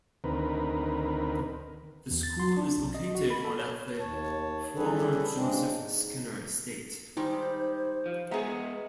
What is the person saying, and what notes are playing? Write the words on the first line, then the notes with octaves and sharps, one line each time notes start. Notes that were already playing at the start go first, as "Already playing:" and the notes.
The school is located on at the former Joseph Skinner estate.
D2 D#3 C4 A#4 B4
E2
A6
C6
D4
B1
D#5
F#4
B5
A4
C#5
D#2 C#5 A5
E3 G3 C#4 G#4 A4 B4
C#3 G#3 C4 D4
G#2
D#3 G3 G#3 D#4 C5
F3
G#3 B3 G#4 D#5 E5 F#5 A#5